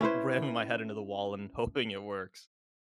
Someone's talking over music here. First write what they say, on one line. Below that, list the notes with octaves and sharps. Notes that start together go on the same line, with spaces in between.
ramming my head into the wall and hoping it works.
C#4 E4 B4 C5